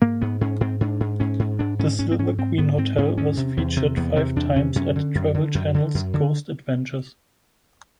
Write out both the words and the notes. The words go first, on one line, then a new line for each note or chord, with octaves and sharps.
The Silver Queen Hotel was featured five times at Travel Channel’s Ghost Adventures.
G#2 A#3
G#2 B3
G#2 C#4
G#2 C4
G#2 D4
G#2
G#2 C#4
G#2
G#2 D4
G#2 C#4
G#2 C#4
C4
G#2 C#4
G#2 C4
G#2 B3
G#2 C4
G#2 C#4
E2 C#4
C3
E2 C4
C3
E2 B3
C3
E2 D4
C3 C#4
F#2 C#4
D3
F#2
D3
F#2
D3
F#2
D3